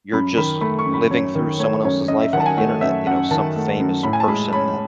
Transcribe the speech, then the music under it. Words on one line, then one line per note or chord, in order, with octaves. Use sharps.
you're just living through someone else's life on the Internet, you know, some famous person that
F#2 B5
D#3 B5
A3 B5
C#6
F#2
B5
F#2 C#5
D#3
A3 C#5
F#2 C#5
F#2 D#5
E5
D#3 F#5
A5
G#5
A3 F#5
F#2 E5
F#2 F#5
D#3 A5
A3
F#2
A2 B5
G#5
A5
G#3 B5
C#4 B5